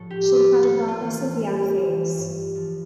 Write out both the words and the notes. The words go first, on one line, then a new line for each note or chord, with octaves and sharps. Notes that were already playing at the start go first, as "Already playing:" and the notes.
She had a rather severe face.
Already playing: A2 F3 A4
G4
G3
F4
G3 A4
F4
E3
F4
G3
E3
G2
F3